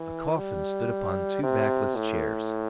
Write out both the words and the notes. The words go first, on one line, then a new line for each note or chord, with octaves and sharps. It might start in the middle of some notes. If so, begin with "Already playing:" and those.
A coffin stood upon two backless chairs.
Already playing: E3
G3
C3
A2